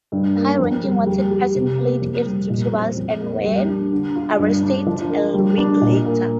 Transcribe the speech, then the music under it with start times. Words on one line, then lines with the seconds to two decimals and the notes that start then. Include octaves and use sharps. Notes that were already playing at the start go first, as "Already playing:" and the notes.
High-ranking wanted persons fled east to Tubas, and were arrested a week later.
0.12 G2
0.36 A#3
0.59 F2
0.83 G3
1.06 G3
1.31 G4
1.55 C3
1.78 A#3
2.01 F2
2.26 G3
2.50 A#2
2.73 C4
2.97 F2
3.20 A#3
3.44 G3
3.67 D4
3.92 D3
4.15 F4
4.39 G2
4.63 D4
4.86 F3
5.10 A#4
5.34 G3
5.58 D4
5.81 A#2
6.06 A#3